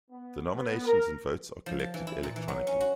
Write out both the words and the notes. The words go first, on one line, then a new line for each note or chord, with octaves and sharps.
The nominations and votes are collected electronically.
B3
B3
A#4
F3
A5
E3
E4
A#2
E3
F#3
C#4
F#4